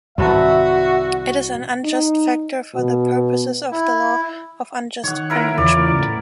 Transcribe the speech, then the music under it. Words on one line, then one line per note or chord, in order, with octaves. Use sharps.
It is an 'unjust factor' for the purposes of the law of unjust enrichment.
C2 G#2 C3 D#3 F#4 B4 E5 A5
D#4
B2
E4
D#3 C#5 F#5
E4 A#4 B4
E2 C#3 F4 D5
A2